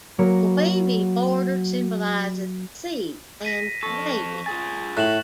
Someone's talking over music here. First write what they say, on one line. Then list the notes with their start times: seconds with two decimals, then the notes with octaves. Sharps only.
The wavy border symbolizes the sea and Navy.
0.18 F#3 A#3 C#5 B5 C#7
3.45 A#6 B6 D#7
3.83 F2 A4 C#6
4.46 F4 G#4 G#5 A6
4.97 A2 F#6 E7 F#7